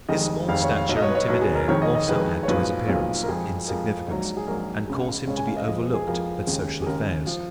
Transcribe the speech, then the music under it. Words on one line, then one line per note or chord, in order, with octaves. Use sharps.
His small stature and timid air also add to his appearance of insignificance and cause him to be overlooked at social affairs.
F1 F2 D#3 G#3 D#5
F1 F2 D#3 G#3 F5
C#5
F5
B1 B2 F#3
D#5
C#5
B4
C#5
B1 B2 F#3 B4
G#4
A#4
F2 D#3 G#3 C#5
D#5
D#5
F2 D#3 G#3 B4
C#5
B1 A#2 F3 G#3 B4
B1 A#2 F3 G#3
A#4
F2 F3 G#3 G#4
F2 F3 G#3 A#4
A#1 G#2 F#3
G#4
A#1 G#2 F#3 A#4
C#2 C#3 G#3
C#2 C#3 G#3 C#5
G#5
F5
D#5
F2 F3 G#3 D#5
B4
G#4
F2 F3 G#3 A#4
D#2 C#3 G#3
G#4
D#2 C#3 G#3 A#4
F3